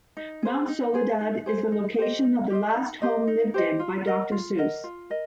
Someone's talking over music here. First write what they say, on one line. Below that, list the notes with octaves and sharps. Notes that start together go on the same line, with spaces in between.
Mount Soledad is the location of the last home lived in by Doctor Seuss.
D#4
G#4 C5
D#4
G#4 C5
D#4
G#4 C5
D#4
G4 C5 D#5
D#4
G4 C5 D#5
D#4
G4 C5 D#5
D#4
G4 C5 D#5
F4
A#4 D#5 F#5
F4
A#4 D#5 F#5
F4
A#4 D#5